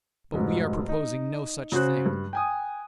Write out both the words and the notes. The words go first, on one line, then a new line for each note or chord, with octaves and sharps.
But we are proposing no such thing.
F1 G#2 F#3
D#4
C#3 F#4 C5 F#6
G2
G5 G#5 D#6